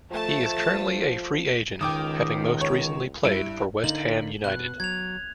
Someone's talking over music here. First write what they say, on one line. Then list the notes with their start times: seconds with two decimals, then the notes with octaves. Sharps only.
He is currently a free agent, having most recently played for West Ham United.
0.11 F3 A3 A5
1.81 C#2 D#3 G5 D6 D#6
2.61 C#5
3.23 G2 E4 D7
3.84 D3 A#3 D#4 F#7
4.44 B2 F#6
4.80 F#3 G#6 F7